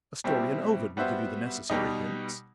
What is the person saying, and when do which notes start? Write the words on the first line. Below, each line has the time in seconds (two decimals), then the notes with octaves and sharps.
A story in Ovid will give you the necessary hints.
0.24 B2 G3 C4 E4 G4
0.97 G3 B3 F#4 C5 E5
1.70 B2 G3 D#4